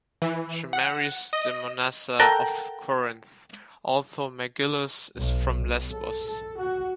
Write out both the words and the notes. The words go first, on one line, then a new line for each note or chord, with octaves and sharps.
She marries Demonassa of Corinth, although Megillus is from Lesbos.
E3
F#5
D#5
A4 A#4 F#5 G5
B1
B1
A4
A4
F#4